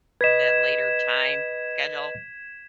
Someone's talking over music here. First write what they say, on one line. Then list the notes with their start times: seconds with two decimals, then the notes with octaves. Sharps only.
that later time schedule.
0.21 B4 D#5 G#6 B6 E7